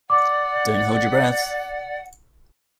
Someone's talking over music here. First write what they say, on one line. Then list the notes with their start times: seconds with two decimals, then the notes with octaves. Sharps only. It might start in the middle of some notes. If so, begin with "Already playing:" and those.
Don't hold your breath.
0.10 D5 F#5 D6